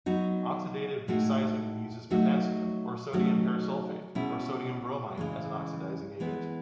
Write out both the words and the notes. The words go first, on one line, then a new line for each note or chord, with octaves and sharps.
Oxidative desizing uses potassium or sodium persulfate or sodium bromite as an oxidizing agent.
F#3 B3 D#4 F#4
A2 G#3 D#4 F#4
F#3 A3 D#4 F#4
D#3 F#3 A3 C#4 F#4
B2 G#3 C#4 E4
C#3 E3 G#3
E3 G#3 B3